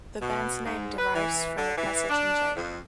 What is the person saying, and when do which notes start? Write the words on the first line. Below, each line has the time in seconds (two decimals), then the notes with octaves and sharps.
The band's name derives from a passage in J.
0.21 B2
0.65 G#2
0.98 B4
1.15 E3
1.57 D3
1.77 E3
2.09 D4
2.56 F2